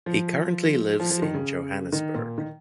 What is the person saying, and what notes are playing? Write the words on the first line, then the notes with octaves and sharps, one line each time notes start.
He currently lives in Johannesburg.
F3
F3
F3
D#3
C#3
D#3
A#2
D#3